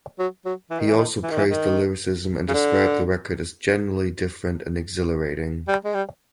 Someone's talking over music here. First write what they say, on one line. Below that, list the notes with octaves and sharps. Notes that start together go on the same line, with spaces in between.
He also praised the lyricism and described the record as "genuinely different and exhilarating".
F#3
F#3
E3
D#3
E3
D#3
E3
D#3
E3
D#3
C#3
D3
G3
G#3
G3